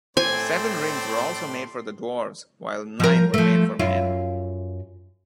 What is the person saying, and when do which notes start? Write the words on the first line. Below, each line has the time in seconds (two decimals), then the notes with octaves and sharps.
Seven Rings were also made for the Dwarves, while Nine were made for Men.
0.17 A2 A3 C4 C5 D5 G#5 C6
3.00 F3 A#4
3.34 F3 A3
3.79 F#2 E4 F4